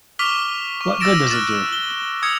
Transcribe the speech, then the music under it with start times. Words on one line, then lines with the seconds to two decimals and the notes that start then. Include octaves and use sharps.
What good does it do?
0.19 C#6 D6 F6 B6 F7 G7
0.81 C#6
1.00 E6 A6 A#6 D7 E7
1.30 F6 F#6 A6 E7
1.72 G7
2.23 D#6 E6 G#6 C#7